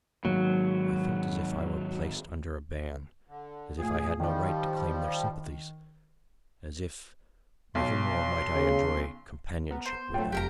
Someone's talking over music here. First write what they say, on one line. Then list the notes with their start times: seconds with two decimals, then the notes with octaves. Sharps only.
I felt as if I were placed under a ban--as if I had no right to claim their sympathies--as if never more might I enjoy companionship with them.
0.25 G#2 D#3 F#3 A#3
3.28 D3
3.79 A2 F4 G#4
4.20 D#3 F3 G3
7.75 B1 C6
8.55 C#3
9.71 B3 A#4
9.86 C5
10.14 G2 F#3 A3 F4 G5
10.32 F1 G4 A#4 A#5